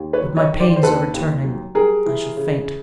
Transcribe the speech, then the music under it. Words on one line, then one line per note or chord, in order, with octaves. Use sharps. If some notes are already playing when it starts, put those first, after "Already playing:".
But my pains are returning, I shall faint.
Already playing: D#2
B4 C#5
F#3
C#5 D#5
D#3
C5 D5
C5
D#2 A4 B4
D#2
F#3
G3 G#4 A#4
E3
C#3